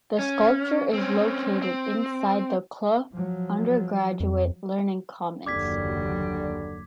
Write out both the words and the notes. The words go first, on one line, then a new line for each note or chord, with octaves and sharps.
The sculpture is located inside the Clough Undergraduate Learning Commons.
C#4
C4 C#4
C4
F3 F#3
F2
F#1 D#2 D3 F#3 G3 D6 G#6 B6